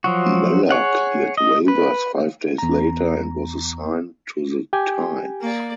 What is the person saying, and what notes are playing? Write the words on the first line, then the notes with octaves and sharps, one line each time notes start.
Moeller cleared waivers five days later and was assigned to the Tides.
F3 F#3 F#4
G#4 C#5 F#5
D#5
B4
E2 A#5
G4 G5 G#5
A#3 D5